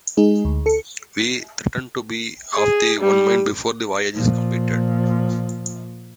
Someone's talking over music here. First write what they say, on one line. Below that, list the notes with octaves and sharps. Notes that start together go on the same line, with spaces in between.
We threaten to be of the one mind before the voyage is completed.
G#3 D#4 G#4
D2
A4 C#7
G#4
G3
A#2 F3